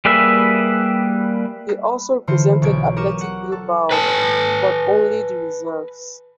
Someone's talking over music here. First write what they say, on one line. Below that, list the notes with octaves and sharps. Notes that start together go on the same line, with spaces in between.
He also represented Athletic Bilbao, but only the reserves.
G3 A#3 G#4 B4 E5
D3 E3 F4 C5 C#7
B1 C#6 G#6 D7
G4 A#4 C#6 D6 D#7 E7
F#5
A4
B4 G#5 A5